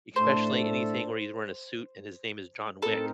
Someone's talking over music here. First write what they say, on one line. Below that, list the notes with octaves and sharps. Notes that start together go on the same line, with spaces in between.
especially anything where he's wearing a suit and his name is John Wick.
A2 A3 D4 A4 C5
A2 C4 D#4 A4 A#4